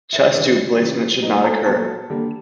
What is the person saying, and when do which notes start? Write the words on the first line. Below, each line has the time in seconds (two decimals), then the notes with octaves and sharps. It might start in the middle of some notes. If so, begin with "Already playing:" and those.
Chest tube placement should not occur.
0.13 E5
0.24 D#5
0.35 C#3 E3 G3 D4 D5
0.78 C#3 E3 G3
1.22 A#2 F#3 B3 D#4 D#5
1.44 A4 A5
1.66 A#2 F#3 B3 A4 A5
2.10 D3 G3 A#3